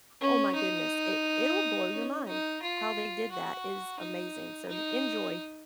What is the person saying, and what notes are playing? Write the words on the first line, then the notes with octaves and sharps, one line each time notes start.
oh my goodness, it it'll blow your mind. How they did that is amazing, so enjoy.
C#4
D#4
C#4
D#4
F4
F#4
D#4
D#4